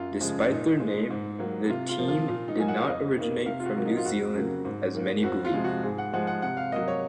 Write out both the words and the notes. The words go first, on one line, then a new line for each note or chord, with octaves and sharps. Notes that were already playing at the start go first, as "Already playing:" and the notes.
Despite their name, the team did not originate from New Zealand as many believe.
Already playing: F#2 F4
C#3 F3 G#3
A#2 D#4
G#3
G#2
F#3 A#3
C3 F4
F4
F3 A#3
F4
A#2 F4
D#4
F#3 A#3 G#5
F#5
F5
F2 D#5
D#3 A#3
C3 F5
F4
F#4
F#3 A#3
D#4
F4
F2 F#4
C#3 F#3 A#3
G#2
D#3 A#3
F2 F#4
F4
C3 F3 G#3
F#4
G#2 G#4
F#5
F3 G#3 F#5
F#5
C3 F#5
F5
F#3 A#3 D#5
C#5